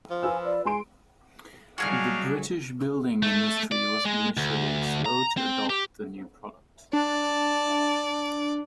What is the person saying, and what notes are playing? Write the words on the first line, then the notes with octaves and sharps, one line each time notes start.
The British building industry was initially slow to adopt the new product.
F3
F4 B4 G#5 E6
D5
G#3 G#5 C6 D7
F#3 G3 D4 D#4 F#4 G#4 F5 F6
A3
D5
G#3
D2
A#5
C4
G4
D4 D5 A5